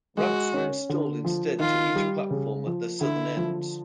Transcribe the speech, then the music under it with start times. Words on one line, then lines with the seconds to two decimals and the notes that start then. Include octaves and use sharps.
Ramps were installed instead to each platform at their southern ends.
0.17 G#3 F#4
0.53 C#4
0.89 D3
1.25 F3
1.60 D#3 F4
1.95 G3
2.31 C#3
2.66 F3
3.01 D3 E4
3.37 F3